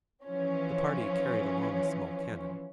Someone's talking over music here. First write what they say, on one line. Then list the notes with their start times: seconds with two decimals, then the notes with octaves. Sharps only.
The party carried along a small cannon.
0.24 E3 F3 C#4